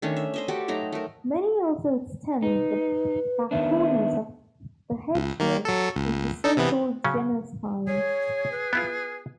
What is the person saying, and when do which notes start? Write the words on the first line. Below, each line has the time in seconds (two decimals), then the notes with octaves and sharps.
Many also extend the backcorners of the headshield into so-called genal spines.
0.02 D#3 A3 C#4 D4
0.16 E5
0.34 C5 D#5 E5
0.48 F#4 G4 A4 D5
0.68 F#3 A3 D#4 A#5
0.92 A3 A#4
2.43 D#4 B4
3.51 D#3 B3 D4 E5
5.15 C#2
5.40 D#3 A#3
5.65 F#3 A4
5.96 C#2
6.44 D#4 A4
6.57 C3 E3 B3
7.04 C#3 F#3 C#4
7.87 G#4 C#5
8.52 B4
8.73 B3 E4 F4